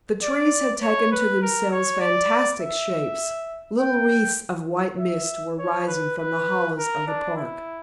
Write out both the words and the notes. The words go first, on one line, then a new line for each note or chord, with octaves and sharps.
The trees had taken to themselves fantastic shapes, little wreaths of white mist were rising from the hollows of the park.
D5
C#5
B4
A#4
C#5
D5
E5
G5
E5
C#5
B4
B4
A#4
D4
E4